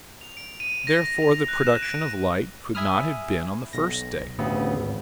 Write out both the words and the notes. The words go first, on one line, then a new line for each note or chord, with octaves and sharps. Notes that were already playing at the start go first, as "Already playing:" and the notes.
Therefore the production of light could not have been on the first day.
F7
D7
D#7
A#6
A#6
F7
F#6
E7
D7
E5 G#5 B5 D#6 F6
B1 A#6
A1 D2 C#3 B3 C4
G#1